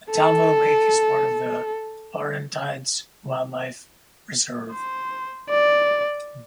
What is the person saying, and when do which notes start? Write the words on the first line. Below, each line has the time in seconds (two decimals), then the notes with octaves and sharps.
The Talbot Lake is part of the Laurentides Wildlife Reserve.
0.11 A4
4.72 C5
5.50 D5